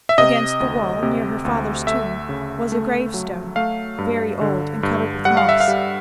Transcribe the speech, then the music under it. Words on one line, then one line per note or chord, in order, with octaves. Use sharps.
Against the wall, near her father's tomb, was a gravestone, very old and covered with moss.
E5
C3 D#5
D2
C3
D2
A3 E5
C#3
A3
F#3
A3 F5
G2
D3
G2
G3 F#5
F5
E5
F5
G3